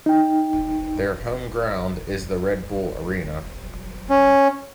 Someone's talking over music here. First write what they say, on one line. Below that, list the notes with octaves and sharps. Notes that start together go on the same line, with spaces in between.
Their home ground is the Red Bull Arena.
D#4 G5
C#4